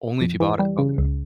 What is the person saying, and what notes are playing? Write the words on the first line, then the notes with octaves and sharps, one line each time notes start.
Only if you bought it. Okay.
F2
E3
G3
C#3
C#2